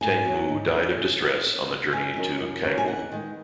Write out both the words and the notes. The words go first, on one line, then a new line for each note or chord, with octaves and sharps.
Teng Mu died of distress on the journey to Cangwu.
G#2 G#5
F#3 C#4
G#2
F#3 C#4
C#3
B3
C#3
B3
F#2 G#5
D#3 F#3 C#4
F#2
D#3 F#3 C#4
G#5
D#2 F#5
D#3 G#3 B3